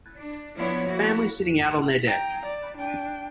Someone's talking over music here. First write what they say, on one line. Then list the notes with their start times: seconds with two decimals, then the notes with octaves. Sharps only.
A family sitting out on there deck.
0.16 D4
0.57 F3 B3 D4 E4 C#5
0.88 A#3 E4 F#4
2.07 G5 A#5
2.46 D5
2.77 D4 G5